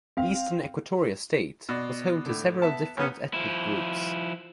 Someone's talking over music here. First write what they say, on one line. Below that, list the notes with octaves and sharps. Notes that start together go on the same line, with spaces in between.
Eastern Equatoria state was home to several different ethnic groups.
C4 F5
B2 D5
A2 D3
B3 E5 A5
A#1 B3 C#4
F3 E4